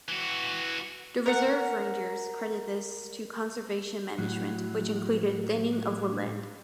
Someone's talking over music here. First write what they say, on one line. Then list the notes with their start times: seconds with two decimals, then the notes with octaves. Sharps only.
The reserve rangers credit this to conservation management, which included thinning of woodland.
0.09 E3 F#4
1.26 A#4 F#5
4.18 A2 F#3